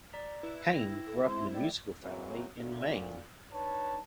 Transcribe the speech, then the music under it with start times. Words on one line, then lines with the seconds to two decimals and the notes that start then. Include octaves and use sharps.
Paine grew up in a musical family in Maine.
0.13 D5 A#5 B6
0.43 E4 B4
0.71 G5 A#6
1.07 A4
1.26 G#3 C4 C5 C6
1.54 A3 D5 G5
2.02 E3 F#3 G#3 A#3 C4
2.57 D2 A#2
3.52 D4 D#4 B4 C#5 A5